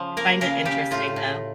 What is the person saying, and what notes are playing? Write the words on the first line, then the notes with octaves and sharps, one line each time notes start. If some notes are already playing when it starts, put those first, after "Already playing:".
I find it interesting, though.
Already playing: C#3 F3
A#3 A#4
C#3 A#4
C#3 G4
A2 F4
A2